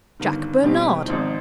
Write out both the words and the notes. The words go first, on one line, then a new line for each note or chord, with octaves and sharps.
Jack Bernard!
G1 G2 D#3
B2 G3 C4 G4
G#1 G#2 F3 C4 D#4